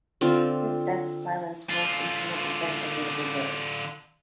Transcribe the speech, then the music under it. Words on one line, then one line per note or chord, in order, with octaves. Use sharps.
His death silenced most internal dissent over the visit.
D3 C4 F4
D3 F4